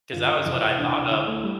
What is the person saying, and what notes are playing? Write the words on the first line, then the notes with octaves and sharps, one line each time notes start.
'Cause that was what I thought of
G2 D3 F4
F2 C3 E3 E4
D2 C3 E3 D4
D2 D3 E4
A3
G3